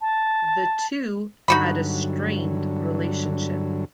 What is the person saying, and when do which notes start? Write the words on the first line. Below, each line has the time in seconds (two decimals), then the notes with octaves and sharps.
The two had a strained relationship.
0.01 A5
1.48 G2 D3 F#3 D#4 F#4 B5